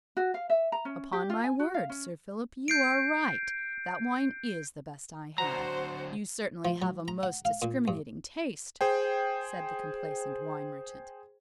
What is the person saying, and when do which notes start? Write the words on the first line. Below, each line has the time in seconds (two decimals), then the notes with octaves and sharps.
"Upon my word, Sir Philip, you are right--that wine is the best I have--you certainly have a most discriminating taste," said the complaisant wine-merchant.
0.17 F#4
0.34 F5
0.50 E5
0.72 A#5
0.85 C#4
1.13 G4
1.30 F4
1.44 G#5
1.59 F#4
1.74 F5
1.89 C#4
2.68 G6 C7 D7
5.38 D3 F#3 F#4 C5 A#5
6.65 F3
6.82 F#3
7.08 A#5
7.23 F#5
7.45 F5
7.62 A#2
7.88 G2
8.81 G#4 C5 G5